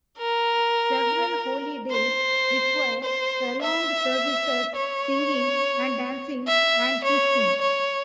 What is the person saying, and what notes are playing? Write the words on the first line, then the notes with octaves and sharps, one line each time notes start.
Several holy days require prolonged services, singing and dancing, and feasting.
A#4
C5
C5
E5
C#5
E5
C#5
C#5